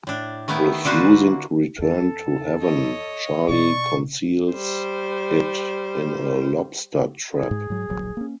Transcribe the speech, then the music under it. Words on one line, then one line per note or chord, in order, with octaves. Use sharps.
Refusing to return to Heaven, Charlie conceals it in a lobster trap.
A2 D4
D#3 A3 B3 E4
D3 A#3 D4 F#4 B4 C5
E2 A4
C#5 D#5
B2 D5 C#6
G3 C5
G#4
G#2
G#2 F#3
D1 A#1 F#3
A#3 C#4